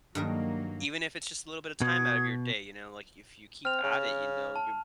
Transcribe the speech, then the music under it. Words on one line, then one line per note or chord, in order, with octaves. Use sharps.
even if it's just a little bit of time out of your day, you know, like, if you keep at it, you know, you're
G2 D#3 F#3 A#3 A#4
B2 F#4 D#6 G#6
C4 F6 F7
C#3
A5